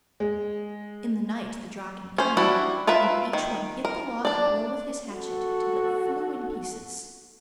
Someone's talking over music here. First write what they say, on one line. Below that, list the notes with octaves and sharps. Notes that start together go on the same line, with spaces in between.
In the night the Draken came, and each one hit the log a blow with his hatchet, till it flew in pieces.
G#3
C#4 C5
G3 D4 E4 F#4
F4 A#4 B4 E5
D#3
A#4
D4 D5
F#4 A4